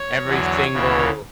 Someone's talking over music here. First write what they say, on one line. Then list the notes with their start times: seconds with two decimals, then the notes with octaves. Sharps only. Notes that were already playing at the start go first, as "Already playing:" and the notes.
every single
Already playing: C#5
0.26 E2 D3 F#3
0.73 D2 C#3 E3